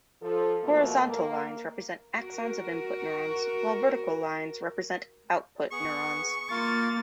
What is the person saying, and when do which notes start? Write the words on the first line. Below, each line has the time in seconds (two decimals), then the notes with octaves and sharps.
Horizontal lines represent axons of input neurons while vertical lines represent output neurons.
0.22 F3 A4
0.63 B2 F3 A3 A#3
1.09 A#3
2.17 F#4 A#4
5.72 B3 G#4 C#6
6.51 A#3 F4 A#4 F5 A6